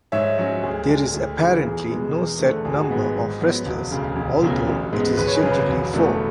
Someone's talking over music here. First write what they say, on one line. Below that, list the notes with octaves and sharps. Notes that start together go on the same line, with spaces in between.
There is apparently no set number of wrestlers although it is generally four.
G#2 C#5 E5
F#3 C#4
D2 G#4
D3 G#3
D2
C#3 E3
E2 G#4
B2 G#3
E2
D3 A3
G#1 G#4
F#4
G#4
G#2 G#3 B3
G#2
F#3 B3
E1
D2 C#3
E1
D2 C#3 F#3 B3
A1
G#2 G#3 B3
G#1 B4
C#5
G#4 B4
F#2 C#3
E1
E2 D3 A3